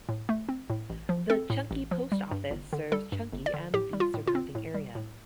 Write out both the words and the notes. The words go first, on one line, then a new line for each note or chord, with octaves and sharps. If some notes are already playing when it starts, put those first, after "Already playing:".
The Chunky post office serves Chunky and the surrounding area.
A2
A3
C4
A2
A1
F3
C4 A4
A2
A1
F3
G3
G2
G1
D3
G3 A4
G2
G1
D5
D3
A2 G4
G3
F4
A2
F4
C4
A2
G3
A2